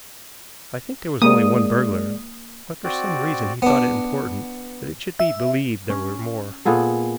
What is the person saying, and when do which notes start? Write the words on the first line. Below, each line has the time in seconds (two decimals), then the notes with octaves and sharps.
"I think there was only one burglar, but for some reason he thought it important that it should be believed there were more."
1.22 G#3 A#3 G#4 D5 D#6
2.84 C4 F#4 D5
3.62 B3 D4
5.20 E5
5.90 C#4
6.65 A#2 B3 G#4 A4